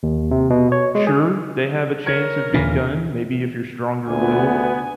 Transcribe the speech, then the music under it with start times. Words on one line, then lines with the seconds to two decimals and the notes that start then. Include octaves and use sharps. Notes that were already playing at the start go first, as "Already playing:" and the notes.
sure, they have a chance of being done, maybe if you're stronger willed,
0.03 D#2
0.31 C3
0.50 B2
0.72 C#5
0.95 G#3
1.07 G#4
2.06 A#4 C#5 G#6 C#7
2.54 D#2 A#2 C#3 E3
4.08 D2 B3 G#5